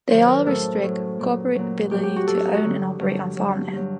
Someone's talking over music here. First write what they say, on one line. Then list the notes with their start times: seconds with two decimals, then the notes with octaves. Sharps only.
They all restrict corporate ability to own and operate on farmland.
0.09 F#2 D#3 F#3 C5
0.28 A#4
0.46 A2 F#3 A4
0.83 A2 F#3
1.19 A#2 F#3
1.55 A#2 F#3
1.91 A2 F#3 G4
2.03 G4
2.16 F#4
2.27 A2 F#3 A4
2.37 F#4
2.46 D#4
2.54 F#4
2.63 G2 D3 F#3
2.99 G2 D3 F#3
3.36 G2 F#3
3.73 G2 F#3